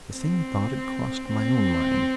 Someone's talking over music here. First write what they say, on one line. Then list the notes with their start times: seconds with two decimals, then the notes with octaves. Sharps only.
The same thought had crossed my own mind.
0.13 C4
1.27 C4